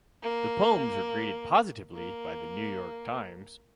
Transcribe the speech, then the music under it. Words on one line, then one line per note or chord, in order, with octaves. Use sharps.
The poems were greeted positively by "The New York Times".
A#3
A#3